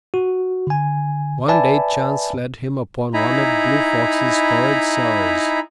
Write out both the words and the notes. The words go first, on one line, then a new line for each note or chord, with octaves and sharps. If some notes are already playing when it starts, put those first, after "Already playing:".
One day chance led him upon one of Blue Fox's storage cellars.
F#4
D3 G#5
B4 D5 E5 G#5 A5 B5
D#4 E4 G#5 A#5 B5